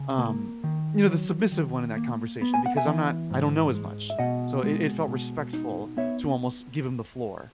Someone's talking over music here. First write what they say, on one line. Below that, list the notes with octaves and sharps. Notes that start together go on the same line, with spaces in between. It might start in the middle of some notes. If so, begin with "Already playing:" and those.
um, you know, the submissive one in that conversation, because I'm not I don't know as much, so it it felt respectful to, almost, give him the floor.
Already playing: C#3
A#3
D#3
F#3
D#3
A#3
B3
G#5
F#5
E5 G#5
E3
G#2
G#3
E5
B2 D#5 F#5
G#3
B2
D#4
B3 C#5 E5